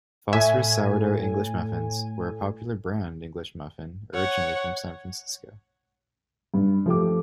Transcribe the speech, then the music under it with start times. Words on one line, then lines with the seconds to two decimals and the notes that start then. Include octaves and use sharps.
Foster's sourdough English muffins were a popular brand English muffin originally from San Francisco.
0.33 A2 E5 G#5
4.14 C#5 F#5
6.54 G2
6.86 F3 A3 G4 D6